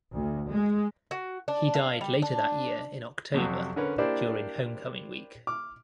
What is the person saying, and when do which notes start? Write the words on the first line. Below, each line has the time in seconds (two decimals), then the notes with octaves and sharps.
He died later that year in October, during Homecoming week.
0.13 D2
0.49 G#3
1.11 F#4
1.48 D4
1.75 F5
2.01 G3
2.22 D4
3.34 F2 C3 F#3
3.76 D3 C#4 A#4 B4 C#5
3.98 A#3 D4 E4 G4 C5 D5
5.47 D6 F6